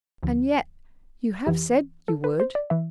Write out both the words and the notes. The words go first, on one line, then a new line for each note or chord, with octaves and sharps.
"And yet you have said you would?"
D2 D3 F3
F2 E3 G4
A4
B4
C5
D5
E3 E5